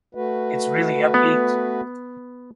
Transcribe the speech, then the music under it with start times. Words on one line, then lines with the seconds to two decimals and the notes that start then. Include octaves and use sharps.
It’s really upbeat.
0.15 A3 F#4 B4
1.14 B3